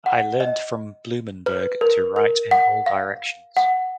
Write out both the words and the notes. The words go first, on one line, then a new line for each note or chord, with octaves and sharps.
I learned from Blumenberg to write in all directions.
F#5
D#5
B4
A#4
A#4
F#5
F5
F#5